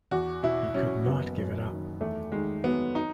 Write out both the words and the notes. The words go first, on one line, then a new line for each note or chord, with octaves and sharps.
He could not give it up.
E2 F#4
B2 E4
F#3 C#4
F#1 B3
F#2
D#3
E2 A3
D#3 G#3
F#3 B3
D#4